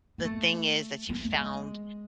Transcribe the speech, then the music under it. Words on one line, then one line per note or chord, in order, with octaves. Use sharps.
the thing is that you found
B3
A3
B3
A3
G#3